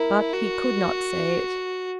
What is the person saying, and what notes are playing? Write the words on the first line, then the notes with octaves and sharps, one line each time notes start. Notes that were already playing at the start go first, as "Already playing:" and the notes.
But he could not say it.
Already playing: E4 A#4
F#4